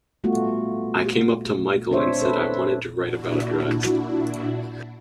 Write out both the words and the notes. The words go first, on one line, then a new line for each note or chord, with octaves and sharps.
I came up to Michael and said I wanted to write about drugs.
G3 A3 B3 F4 F#4
C4 D4 C5 C#5 E5
A4 B4 E5
A#2 D4 E4 F#4